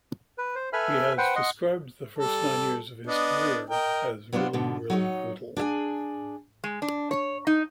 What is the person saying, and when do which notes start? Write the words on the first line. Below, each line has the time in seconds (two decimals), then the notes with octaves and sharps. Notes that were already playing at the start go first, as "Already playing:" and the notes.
He has described the first nine years of his career as really, really brutal.
0.38 B4
0.55 C5
0.73 A4 B4 E5 G#5 B5 F6
1.18 B4 C5 F#5 G5
1.36 D#5 F#5 C6
2.19 G3 A4
3.07 B3 D4 D#5
3.70 A#4 D#5 G5
4.33 F#3 B3 D4 F4 C5
4.53 G#2 B2 D3
4.90 F#3 D#4 C#5
5.57 D4 G#4 E5 G#5
6.64 G#3
6.82 D4
7.11 C#5
7.47 D#4